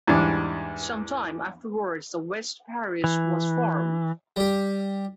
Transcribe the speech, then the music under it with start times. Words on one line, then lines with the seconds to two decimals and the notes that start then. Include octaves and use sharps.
Some time afterwards the West Parish was formed.
0.07 E2 G#2 G3 D4
3.04 E3
4.36 G3 G4